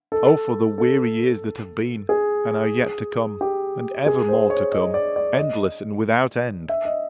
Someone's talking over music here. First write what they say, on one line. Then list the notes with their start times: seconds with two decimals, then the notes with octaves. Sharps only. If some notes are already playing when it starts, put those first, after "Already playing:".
Oh, for the weary years that have been and are yet to come, and evermore to come, endless and without end!
0.12 A4
0.78 A4
2.09 G#4
3.41 G4
4.06 G#4
4.28 C5
4.50 C#5
4.72 D#5
4.94 D5
5.16 D5
5.38 D#5
6.69 E5
6.85 D#5